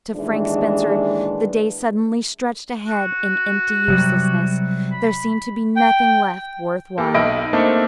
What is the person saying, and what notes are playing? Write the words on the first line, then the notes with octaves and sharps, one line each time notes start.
To Frank Spencer the days suddenly stretched ahead in empty uselessness--there seemed to be nothing left worth while.
D#2 A2 E3 G#3 B3 D4
F#4
C3 F#3 G3
B5
G5
A#3 G4 A4
B1 D#5 E5 B5 D7
D#4
A3 A#3 C4 D4 D#4 A4